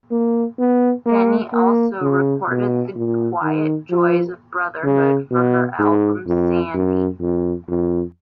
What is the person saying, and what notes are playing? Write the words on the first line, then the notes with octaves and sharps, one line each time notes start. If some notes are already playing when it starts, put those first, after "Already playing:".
Denny also recorded "The Quiet Joys of Brotherhood" for her album "Sandy".
A#3
B3
A#3
A#3
C#3
B2
A#2
D#3
F3
C#3
B2
G#2
F2
F#2
F2
F2